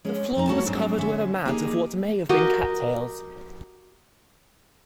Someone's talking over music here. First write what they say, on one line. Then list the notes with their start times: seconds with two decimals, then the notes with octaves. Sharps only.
The floor was covered with a mat of what may have been cattails.
0.05 G#3 C#4
0.35 F2 B2 D#4 A#5
0.47 G3 A3 F#4 C#5 A5
0.66 G#2 F#3 C4 D4 F#4
0.98 D3 C#4 E5
1.45 A#3 D#4 E4 G4 G#4 D#5
2.29 F#4 G4 A#4 D#5